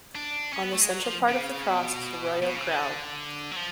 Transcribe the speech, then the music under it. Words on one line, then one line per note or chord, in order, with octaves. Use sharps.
On the central part of the cross is a Royal Crown.
D4
C#4
B3
A3
G#3
F#3
F3
C#3
B2
B2
C#3
D3
F#3
F3